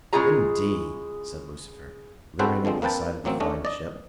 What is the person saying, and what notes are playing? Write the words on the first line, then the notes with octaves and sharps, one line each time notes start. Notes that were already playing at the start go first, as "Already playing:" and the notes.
"Indeed," said Lucifer, leering over the side of the flying ship.
C#3 G#3 E4 F4 G#4 A#5
C4 C#4 F#4 A4 B4 C5
D3 F3 G#3 C4
A#3 C4 B4 G5 A5
A1 F#3 A#3 C4
A3 C#4 D4 D#5
D5 D#5